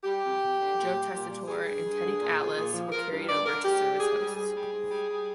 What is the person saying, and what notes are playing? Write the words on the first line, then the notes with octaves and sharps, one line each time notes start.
Joe Tessitore and Teddy Atlas were carried over to serve as hosts.
G3 G4
F2
F2
D3
A#2
G3
A#2
G3
G3 G#4
G2
G2
D3
A#2
F3
A#2
F3
F3 A#4
G2
G2 D5
D3 A#4
G#2 G4
G3
G#2 G#4
G3
G#2 G#4
G3
G#2
G3
G3